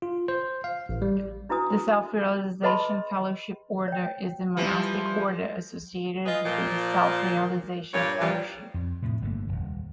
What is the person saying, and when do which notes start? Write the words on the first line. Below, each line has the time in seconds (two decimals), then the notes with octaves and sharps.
The Self-Realization Fellowship Order is the monastic order associated with Self-Realization Fellowship.
0.02 F4
0.28 C5
0.64 F5
0.89 A1
1.02 G3
1.49 D4 E4 F#4 B4 G#5 D#6
2.63 G#4 B4 D#5 A5 B5 C6
3.88 C#5 G5
4.57 E3 F3 G3
6.26 F4 G#4 B4 D#5
6.45 A#2 F3
7.94 G2 A#2 C#5
8.20 A#2 E3 F3 G3
8.74 F2
9.02 A2 C3 F3
9.21 G1 D3 A3 A#3
9.49 D#1 G#1